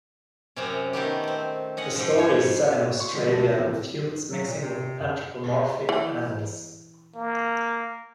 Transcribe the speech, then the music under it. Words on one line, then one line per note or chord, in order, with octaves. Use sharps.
The story is set in Australia with humans mixing with anthropomorphic animals.
F#2 C3 C#4
D#3 A3 B3 G4
C4
C#4 D#5 F#5
G#2 F3
F2 C#5
F#4
C6 C#6
D3 F3 G3 G#3 B3
C#2 G2 A3 A5 A#6
B3
C3 E3 F3 A#3 C4
F#3
A#2
C3
F#2
E3
A#3